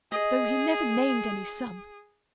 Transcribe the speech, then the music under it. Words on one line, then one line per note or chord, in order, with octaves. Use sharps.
Though he never named any sum.
G#4 D#5